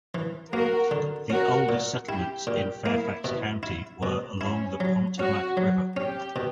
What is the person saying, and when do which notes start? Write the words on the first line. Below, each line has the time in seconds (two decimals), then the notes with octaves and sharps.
The oldest settlements in Fairfax County were along the Potomac River.
0.15 E3
0.53 A#3 F#4 A#4
0.91 D3
1.30 C#4 F#4 A#4
1.69 A#2
2.08 E4 G4
2.47 A#2 G4
2.85 A#3 E4
3.24 B2
3.63 E4
4.03 B2
4.41 C#4 E4
4.80 F#3
5.18 C#4 F#4
5.57 F#3
5.97 C#4 G4
6.36 B2